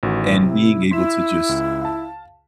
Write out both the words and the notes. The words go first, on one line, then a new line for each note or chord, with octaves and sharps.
And being able to just
A1 D#3 F#4
C3 E4
E4 C6 B6 E7
C#2
F5 A5